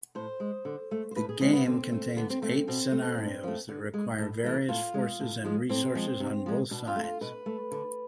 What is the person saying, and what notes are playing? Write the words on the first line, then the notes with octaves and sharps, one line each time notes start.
The game contains eight scenarios that require various forces and resources on both sides.
A2 C5
G#3
D3
A3
C5
A2 B4
G#4
E3 G#3 C4
B3
D3 C4
A3
D3 B3
C4
A3 C4
C4
B2 C4
A3
A2
F3 A3
D3
G#3
A2
E3 A3
A2 F4
G#3
A2
F3 G#3
A2 C4
F3 G#3
C3
F3 G#3
B2 D4
F4
A3
F4
B2 B4
A3
D3